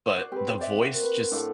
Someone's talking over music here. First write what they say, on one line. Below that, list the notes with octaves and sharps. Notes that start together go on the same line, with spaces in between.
but the voice just
F#4 C5 D5
C4 G4 B4
C5 D5 E5
A#3 F#4
B4
A2 D4 A4 F5